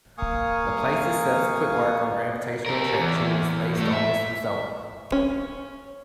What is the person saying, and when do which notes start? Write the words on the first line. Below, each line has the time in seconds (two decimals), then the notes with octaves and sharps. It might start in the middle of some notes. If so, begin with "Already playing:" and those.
Laplace's subsequent work on gravitational attraction was based on this result.
0.18 A#3 F5 G#5 C#6 D#6
2.66 G4 A#4
3.00 E2
3.77 A2 A3
3.93 E5
5.12 C#4